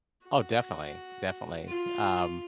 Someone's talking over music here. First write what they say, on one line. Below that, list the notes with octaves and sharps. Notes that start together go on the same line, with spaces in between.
Oh, definitely, definitely. Y um,
F#4
F4